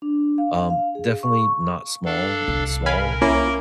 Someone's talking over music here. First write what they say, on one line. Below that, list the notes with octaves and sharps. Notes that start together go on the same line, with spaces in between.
um, definitely not small- small
D4
F5
F5
G#4
C#6
D4 A4 F5
C2
A#4 F5 G#5 B5
A#3 C#4 E4